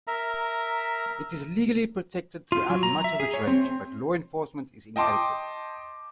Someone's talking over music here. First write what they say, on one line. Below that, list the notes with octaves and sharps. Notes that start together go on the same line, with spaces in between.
It is legally protected throughout much of its range, but law enforcement is inadequate.
A#4 E5 A#5
F4
F#3
A#5
E5
G#4
C#5
C4
D#5 G5 A5 C6 D6